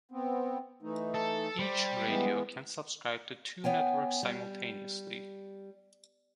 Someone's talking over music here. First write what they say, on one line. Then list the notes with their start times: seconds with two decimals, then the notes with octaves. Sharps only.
Each radio can subscribe to two networks simultaneously.
0.11 B3 C4
0.82 E3 A3 D#4
1.15 A4
1.59 G3 C5 D5
2.06 E3 G#3 B3
3.64 B3 C#5 G5 G#5
4.23 G3